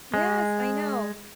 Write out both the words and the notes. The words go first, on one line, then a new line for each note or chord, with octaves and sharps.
Yes, I know,
G#3